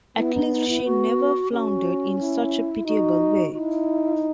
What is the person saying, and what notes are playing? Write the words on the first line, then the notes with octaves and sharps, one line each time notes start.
At least she never floundered in such a pitiable way.
B3 E4
D#4
D#4
E4
F#4
C#4 F#4 G#4
E4
D#4 F#4
D#4 E4 F#4